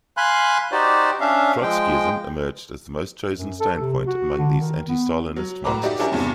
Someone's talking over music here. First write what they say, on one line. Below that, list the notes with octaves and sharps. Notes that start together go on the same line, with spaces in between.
Trotskyism emerged as the most chosen standpoint among these anti-Stalinist Marxists.
F5 G#5 B5 C6 F#6
D#4 F#4 G4 C5 D5
C#4 D4 E5 F5
F3 G#3 G5
F#2
A4
C3
F#4
D3
D#3
B3
F#3
A2 F#4 B4 A#5 D6
D#4 F#4 G4 D5 E5
C#4 D4 E4 F#4 G4 A#4
E2 G2 C3